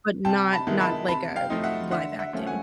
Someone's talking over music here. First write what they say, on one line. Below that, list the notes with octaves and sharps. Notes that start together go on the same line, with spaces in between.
but not not like a live acting.
C3 G5 A5
A5 B5
D#3 G#3 B3 E4
A5 B5
C3 A5 B5
F5 G5
F3 A3 C4 D#4
E5 F#5
D3 E5 F#5
E5 F#5
F3 A3 C#4
F#5 G#5